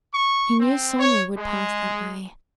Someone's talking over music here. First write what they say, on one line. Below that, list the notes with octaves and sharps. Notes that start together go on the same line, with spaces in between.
He knew Sonya would pass that way.
C#6
C4
C#5
G#3